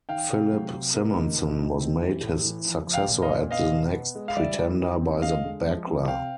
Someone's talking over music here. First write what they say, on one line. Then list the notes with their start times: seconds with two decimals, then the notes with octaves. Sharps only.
Philip Simonsson was made his successor as the next pretender by the Bagler.
0.09 D#3 F5 G5
0.30 C3
0.51 F#3
0.74 C3
0.94 A#3
1.16 D#4
1.37 B2
1.58 D#4
1.80 C4
2.01 E3
2.23 A2
2.45 E3
2.66 F3
2.87 F3
2.94 F5 G5
3.08 A#2
3.22 D#5 F5
3.30 A#2
3.51 B3 D#5 F5
3.73 B2
3.94 B3
4.15 G#3
4.28 F5
4.37 G3 D5 E5
4.58 E3
4.80 E3
5.01 C4
5.22 D3 D#5 F5
5.44 G#3
5.65 F3
5.87 C4
6.08 C3 F5 G5